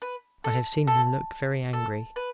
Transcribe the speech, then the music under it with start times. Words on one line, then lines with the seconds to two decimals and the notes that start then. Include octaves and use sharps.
I have seen him look very angry.
0.02 B4
0.44 A4
0.87 A4
1.73 A4
2.16 B4